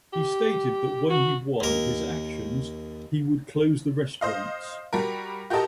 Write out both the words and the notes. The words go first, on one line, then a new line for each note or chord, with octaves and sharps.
He stated that when he won his actions he would close the restaurants.
G4
F#4
D#2 A#4
C5 D#5 F5
G3 F#4 A#4
F#4 G4 A4 A#4 D#5 A5